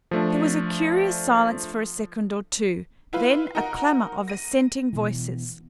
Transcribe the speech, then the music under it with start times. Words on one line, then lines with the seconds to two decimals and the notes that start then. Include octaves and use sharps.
There was a curious silence for a second or two, then a clamour of assenting voices.
0.11 F3 A3 D4
3.13 E4 F4 B4
3.55 D#4 F#4 A#4
4.28 A#6 D#7
4.93 B2 E3